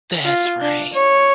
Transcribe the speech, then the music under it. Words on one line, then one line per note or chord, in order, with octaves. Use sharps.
That's right.
F4
D4
C#5